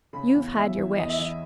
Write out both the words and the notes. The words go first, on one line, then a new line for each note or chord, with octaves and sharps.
You've had your wish.'
C#3 B5
E2
E2 E5
E3
E2 D#5
E5
E3 D#5